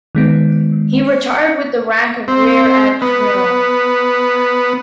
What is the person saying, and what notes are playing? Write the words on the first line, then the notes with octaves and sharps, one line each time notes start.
He retired with the rank of Rear Admiral.
D#3 G#3 B3
C4
B3